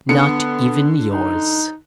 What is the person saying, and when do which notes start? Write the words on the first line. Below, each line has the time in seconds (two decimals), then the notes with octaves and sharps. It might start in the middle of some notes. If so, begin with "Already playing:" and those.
"Not even yours."
0.09 D3 B3 C#7
1.09 D#4